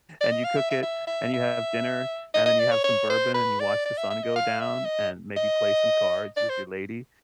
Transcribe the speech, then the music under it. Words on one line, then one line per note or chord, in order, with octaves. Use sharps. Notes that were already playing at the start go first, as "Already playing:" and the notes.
and you cook it, and you have dinner, and then you have some bourbon, and you watch the sun go down, and maybe play some cards with your lady,
D5
D#5
F5
E5
E5
E5
E5
E5
D#5
D#5
D5
C#5
C#5
C5
B4
D5
D5
E5
E5
D#5
F5
E5
D#5
D#5
D5
C5